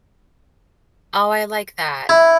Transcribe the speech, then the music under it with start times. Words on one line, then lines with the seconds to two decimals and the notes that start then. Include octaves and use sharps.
Oh, I like that.
2.09 E4